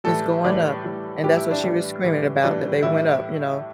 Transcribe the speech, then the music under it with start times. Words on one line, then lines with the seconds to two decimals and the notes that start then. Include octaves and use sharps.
It's going up and that's what she was screaming about that they went up, you know,
0.04 A2 E3 G3 A4
0.44 A2 E3 G3 D5
0.84 A2 E3 G3
1.24 A2 E3 G3 G4
1.37 E4
1.51 D4
1.63 A2 E3 G3
2.04 A2 E3 G3
2.43 A2 E3 G3 D4
2.83 A2 E3 G3 E4